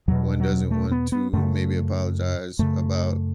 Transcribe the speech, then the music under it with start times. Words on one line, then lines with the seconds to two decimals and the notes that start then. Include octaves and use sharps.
one doesn't want to maybe apologize about
0.08 E2 B2 F#3
0.40 F#3
0.71 A3
0.91 B3
1.12 B3
1.33 F#2 C#3 A3
2.59 F#2 C#3 A3